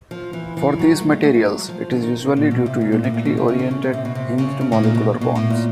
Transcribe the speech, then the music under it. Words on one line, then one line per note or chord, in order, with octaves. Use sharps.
For these materials, it is usually due to uniquely oriented, hinged molecular bonds.
F3
E3
E3
F#3
A3
G#3
A3
G#3
F#3
F3
D3
D#3
B2
A#2
B2
C3
A#2
A#2
A2
A#2
B2
C3
C#3
D3
C#3
C3
C3
B2
C3
C#3
C#3
A2
A#2
B2
B2
A2
A#2